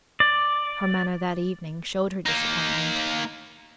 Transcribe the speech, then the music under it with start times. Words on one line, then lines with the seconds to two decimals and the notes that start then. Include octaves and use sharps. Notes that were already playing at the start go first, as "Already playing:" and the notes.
Her manner that evening showed her disappointment.
0.20 D5
2.26 A#3 D#4